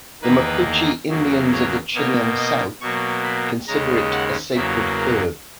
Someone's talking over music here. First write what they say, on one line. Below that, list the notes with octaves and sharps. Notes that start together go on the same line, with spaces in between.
The Mapuche Indians of the Chilean south consider it a sacred herb.
E2 D#3 A#3 B4
E2 C#3 F#3 A#3
C#5
B2 A#3 C#5
D#5
B2 F#3 A#3 C#6
B5
D#2 C#3 G#3 A#5
F#5
E2 C#3 F#3 A#3 E5
A#4